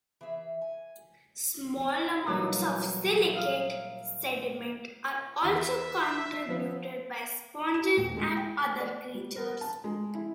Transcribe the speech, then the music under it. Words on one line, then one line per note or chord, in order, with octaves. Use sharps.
Small amounts of silicate sediment are also contributed by sponges and other creatures.
E3 G#4 E5
G#5
A#2 E3 F#3 G3 F#4 E6
E5 F5 D#6 F6
E2 E4 E5
F3 B3
E7
D#1
G#3
G5
F#6
D5
G3
A#4
A5
G#3
E4